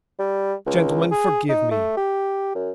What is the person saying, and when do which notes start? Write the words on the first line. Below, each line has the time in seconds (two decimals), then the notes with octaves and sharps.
Gentlemen, forgive me!
0.19 G3
0.66 C#2
1.12 G#4
1.49 D#4
1.71 A3
1.97 G4
2.55 F#2